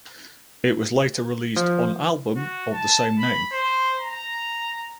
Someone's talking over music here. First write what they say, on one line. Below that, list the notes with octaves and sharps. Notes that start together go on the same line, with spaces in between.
It was later released on album of the same name.
F3
F#4
A5
B5
C5
A#5